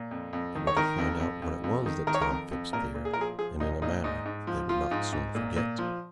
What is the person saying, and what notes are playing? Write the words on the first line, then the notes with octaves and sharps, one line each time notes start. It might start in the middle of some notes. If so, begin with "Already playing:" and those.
They were to find out what it was that Tom Phipps feared, and in a manner that they would not soon forget.
Already playing: A#2
F2
F2
D#3
C#5
D#3 A#4
F2
F2
F2
F2
D#3
D#3 A#4
C#5
A#4
F2
F2
A#2 A#4
A#2
G#4
A#4
F3 G#4
F3 G#4
A#2 D#4
A#2 D#4
G#2 D#4
G#2
F3
F3 F4
G#2
G#2
A#2
A#2
F3